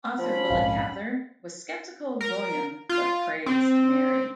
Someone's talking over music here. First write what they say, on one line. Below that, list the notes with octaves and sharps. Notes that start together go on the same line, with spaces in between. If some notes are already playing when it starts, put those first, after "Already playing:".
Author Willa Cather was skeptical of William but praised Mary.
F3 C#4 B5
A#1 F2 G#2 F5
A#4
F4
C4